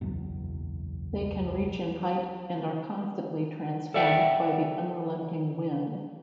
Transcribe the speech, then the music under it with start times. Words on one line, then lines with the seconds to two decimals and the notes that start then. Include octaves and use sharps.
They can reach in height and are constantly transformed by the unrelenting wind.
0.01 F#1 B1 E2 F#3
3.94 A4 D5 E5 F#5 G5